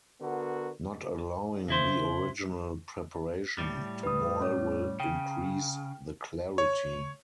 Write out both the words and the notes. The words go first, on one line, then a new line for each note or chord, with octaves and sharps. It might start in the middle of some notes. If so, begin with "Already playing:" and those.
Not allowing the original preparation to boil will increase the clarity.
D3 B3 F#4 A#4
C#3 E4 C5
A2 G3
B4 D#6
C#4 C#5
C#3 G5
C#5